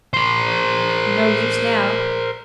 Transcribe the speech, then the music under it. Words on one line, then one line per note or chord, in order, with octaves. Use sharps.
No use now.
A#4 C5